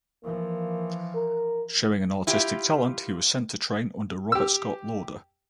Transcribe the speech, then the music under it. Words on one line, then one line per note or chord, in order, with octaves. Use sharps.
Showing an artistic talent he was sent to train under Robert Scott Lauder.
E3 F3 A#3
A#4
E4 F4 G4
G4 E6